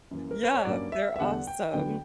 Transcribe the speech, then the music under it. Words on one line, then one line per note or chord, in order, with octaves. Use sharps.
Yeah, they're awesome
F#2 E3 A#3
A#4
B4
C#5
G2 F#3 A#3 C#4 D5
E5
E5
E2 D3 G3 F#5
G5
D2 D3 F#3 B3 D4 G5